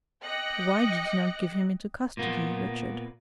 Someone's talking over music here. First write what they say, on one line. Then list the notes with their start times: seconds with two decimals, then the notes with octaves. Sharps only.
"Why did you not give him into custody, Richard?"
0.24 D#5 G5 D6 F#6 A#6 C#7
2.17 A#2 A#3 B3